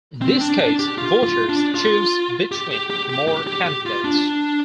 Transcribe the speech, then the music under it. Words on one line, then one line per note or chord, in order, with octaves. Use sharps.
In this case, voters choose between more candidates.
C4
D4
D4
G4
F4
F4
D4
F4
G4
G4
G4
G4
G4
G4
G4
F4
D4